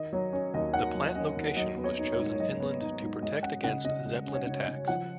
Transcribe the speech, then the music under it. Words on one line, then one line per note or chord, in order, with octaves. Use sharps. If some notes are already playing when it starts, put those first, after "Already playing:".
The plant location was chosen inland to protect against Zeppelin attacks.
Already playing: D#3 D#5
F#3 C#5
C#4 C#5
D#2 D#5
D#3 F#5
F#3
C#4 D#5
D#2
F#3 D#5
B3
C#5
D#4
C#5
G#2
F#3 D#5
B3
D#4
G#2
G#3 D#5
C#4 F#5
C#3 F#5
C#3 D#5
G#3 D#5
C#4
C#5
C#3
D#5
C#3
F3 F#5